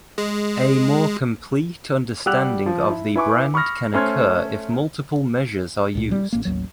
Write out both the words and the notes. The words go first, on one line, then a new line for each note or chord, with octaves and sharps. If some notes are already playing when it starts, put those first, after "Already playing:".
A more complete understanding of the brand can occur if multiple measures are used.
G#3
G3 G4 F#5 E6 F#6 F7
F3
E4
E4 B4 G#5 C#6 D6
B5 C#6 D#6 F6 A#6
A3 C#4 C5 C6 F6 G#6
C#2 A#2
G3
A1 A#3
A1 D#2 F#3